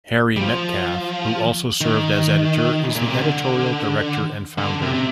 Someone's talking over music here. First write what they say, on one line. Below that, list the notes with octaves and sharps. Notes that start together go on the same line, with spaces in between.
Harry Metcalfe, who also served as editor, is the editorial director and founder.
G3
F3
D#3
A#2
C3
D3
D3
C3
C3